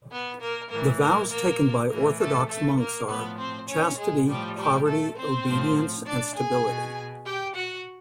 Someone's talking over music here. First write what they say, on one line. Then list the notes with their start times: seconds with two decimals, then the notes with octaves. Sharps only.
The vows taken by Orthodox monks are: Chastity, poverty, obedience, and stability.
0.11 B3 B4
0.40 A#3 A#4
0.70 A2 E3 A#3 A#4
1.00 A#3 A#4
1.30 A#3 A#4
1.89 A2 E3 A#3 A#4
2.18 A3 A4
2.48 A3 A4
2.78 A#3 A#4
3.08 A2 F3 B3 B4
3.37 C4 C5
3.67 C#4 C#5
3.97 G#3 G#4
4.27 A2 F3 G3 G4
4.57 G3 G4
4.87 A3 A4
5.16 C4 C5
5.46 A2 F3
6.05 D4 D5
6.35 G#4 G#5
6.65 B2
7.25 G4 G5
7.55 F#4 F#5